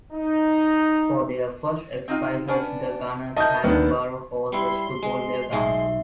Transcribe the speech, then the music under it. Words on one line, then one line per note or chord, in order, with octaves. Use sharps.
For their first exercises the gunners had to borrow horses to pull their guns.
D#4
C4 D#4 F4
B3 C#4 D4
F#4 A#4 D#5 E5 A5 G6
D#2 B3 D4
G3 E4 C6
G#3
B1 G#3 E5